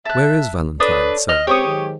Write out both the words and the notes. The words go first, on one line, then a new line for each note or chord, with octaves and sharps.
Where is Valentine, sir?
E5 A5 F#6
D4 A4 B4 C#5 D5 D#6
D#5 F6
C#2 C4 G4 C5 C#5 C#6 D#6
G#2 D#3 F#3